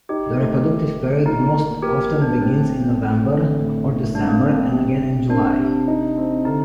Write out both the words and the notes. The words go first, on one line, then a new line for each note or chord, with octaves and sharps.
The reproductive period most often begins in November or December, and again in July.
D#4 G4
A3
D#3
A3
D#4 F4
A#3
F3 G4 A#4
F3
D4
A2 C4
A2
A3
D3
A2
A2
G2 D4
C4
A#3
C4
D4
C3
C3
C4 D4
C3
D#4
C4
D3 D#4